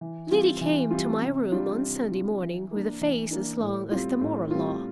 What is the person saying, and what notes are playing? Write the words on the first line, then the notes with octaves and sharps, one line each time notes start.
Liddy came to my room on Sunday morning with a face as long as the moral law.
E3
G3 C4 F4
E3
G3 C4 F4
C3
G3 D4 F4
C3
G3 D4 F4
E3
A#3 D4
E3
A#3 D4
A2
G3 C4 F4
A2
G3 C4 F4